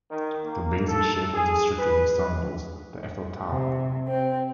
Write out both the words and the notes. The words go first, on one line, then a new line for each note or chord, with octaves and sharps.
The basic shape of the structure resembles the Eiffel Tower.
D#3
A#3
A4
G#4
B4
C3
C4